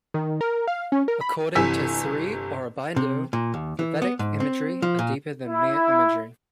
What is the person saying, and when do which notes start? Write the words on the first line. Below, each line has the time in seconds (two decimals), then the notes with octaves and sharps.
According to Sri Aurobindo, the vedic imagery are deeper than mere imagery.
0.14 D#3
0.41 A#4
0.68 F5
0.92 C#4
1.08 A#4
1.21 B5
1.55 G1 C3 E3 G#5 E6 B6
2.96 C3
3.33 A#2
3.54 D#2
3.79 E3
4.02 B3
4.19 G#2
4.40 C4
4.82 F3
4.99 A#2
5.47 E4